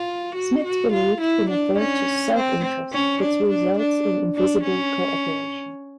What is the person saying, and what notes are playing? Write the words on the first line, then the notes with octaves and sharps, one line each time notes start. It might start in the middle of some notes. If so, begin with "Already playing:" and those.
Smith believed in a virtuous self-interest which results in invisible co-operation.
Already playing: F4
F#4
F#4
F4
E4
D4
C#4
C4
C#4
D4
D4
D4
D4
C#4